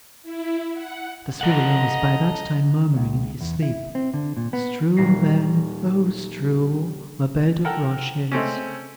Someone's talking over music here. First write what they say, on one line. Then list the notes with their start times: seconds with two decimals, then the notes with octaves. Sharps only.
Mr Swiveller was by that time murmuring in his sleep, 'Strew then, oh strew, a bed of rushes.
0.23 E4
0.73 F#5
1.41 A4 D#5 F5 F#5 A#5
2.96 C#2
3.40 E2
3.62 E4
3.95 C4
4.14 D3
4.37 A#2
4.53 B3
4.97 D#1 A#6 C7
7.65 A4 A#4 F#5 G5
8.32 G#3 A3 C4 C#4